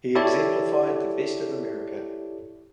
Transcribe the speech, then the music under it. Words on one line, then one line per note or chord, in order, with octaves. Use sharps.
He exemplified the best of America.
E4 G4 A4 C#5 D5